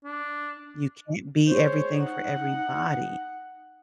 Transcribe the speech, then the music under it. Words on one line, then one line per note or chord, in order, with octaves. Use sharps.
You can't be everything for everybody.
D4
G#3 C5 C#5
D#4 F#5